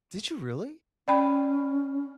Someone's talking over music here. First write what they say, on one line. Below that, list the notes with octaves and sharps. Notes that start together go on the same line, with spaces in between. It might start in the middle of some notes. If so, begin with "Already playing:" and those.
Did you really?
C#4 D5 G5 B5